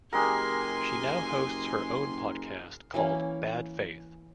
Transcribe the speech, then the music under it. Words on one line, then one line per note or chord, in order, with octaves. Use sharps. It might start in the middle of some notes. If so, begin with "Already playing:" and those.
She now hosts her own podcast called "Bad Faith".
F#1 G#3 G4 A#4 G#5 C6
E3 A#3 C#4